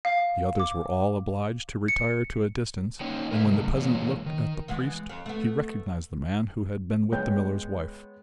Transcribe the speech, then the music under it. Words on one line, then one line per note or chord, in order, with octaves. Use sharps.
The others were all obliged to retire to a distance, and when the peasant looked at the priest, he recognized the man who had been with the miller's wife.
F5
D6
C#7
A#3 C#4 D#4 C#5 G5
A#4 C5 E5
G#2 C3 F#3 A3
F2 A#2 E3 G#3 A#3 C#5
D#3
E3 G#3 B3
F2
A3 B3
G#3 B3 C#5 G5 G6